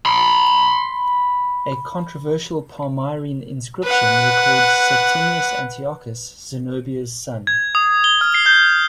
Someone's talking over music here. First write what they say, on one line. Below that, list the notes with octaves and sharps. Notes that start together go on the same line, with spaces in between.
A controversial Palmyrene inscription records Septimius Antiochus, "Zenobia's son".
B5 C6
B4 F#5
G#6
D#6
G7
F6
C7
G6